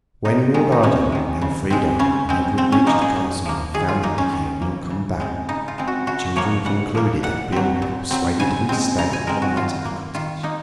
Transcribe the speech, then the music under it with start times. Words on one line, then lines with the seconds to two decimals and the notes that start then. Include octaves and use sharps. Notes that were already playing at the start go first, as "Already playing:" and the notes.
WHEN Lord Arden and Elfrida and Edred reached the castle and found that Dickie had not come back, the children concluded that Beale had persuaded him to stay the night at the cottage.
0.25 C3 D#4
0.54 D#3 G#3
0.72 D#4
0.83 C3 C#4
1.12 D#3 G#3
1.41 C#3
1.71 G#3 C4
1.99 C#3 C#4
2.29 G#3 C4
2.58 A#2 C4
2.72 C#4
2.86 F3 A#3 D#4
3.01 G#4
3.16 A#2
3.45 F3 A#3
3.74 D#3 G#4
3.88 F4
4.03 A#3 D#4
4.18 C#4
4.33 D#3
4.62 A#3
4.90 C#3
5.20 G#3 C4
5.49 C#3 D#4
5.68 F4
5.78 G#3 C4
5.88 F#4
6.07 C#3 F#4
6.36 F3 A#3 C#5
6.65 C#3 F#5
6.95 F3 A#3
7.23 A#2 F#5
7.52 F#3 C4
7.82 A#2
8.11 F#3 C4
8.40 C#3 G#5
8.69 G#3 C4
8.98 C#3 A#5
9.13 G#5
9.27 G#3 C4 A#4
9.42 F#4
9.56 D#3 F4
9.85 A#3
10.15 D#3 F4
10.43 A#3 D#4